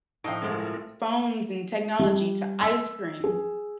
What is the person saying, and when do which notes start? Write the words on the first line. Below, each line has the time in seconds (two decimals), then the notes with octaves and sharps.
phones and technology to ice cream.
0.24 A2 F3 D#4 G5
0.42 C2 G#3 A3 A4 A#4
1.99 G3
2.61 E6
3.24 G#4